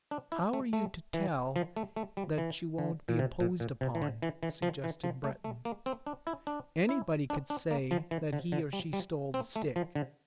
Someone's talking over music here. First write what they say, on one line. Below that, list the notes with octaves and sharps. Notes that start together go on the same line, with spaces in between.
"How are you to tell that you won't be imposed upon?" suggested Breton. "Anybody can say that he or she stole the stick."
D4
E4
A3
A3
E3
F3
A3
A3
G3
E3
D3
A#2
C3
A#2
A#2
C3
E3
D3
E3
E3
F3
E3
F3
A3
A3
A#3
C4
D4
E4
D4
E4
D4
D4
A#3
F3
E3
D3
D3
G3
G3
C4
A3
F3
D3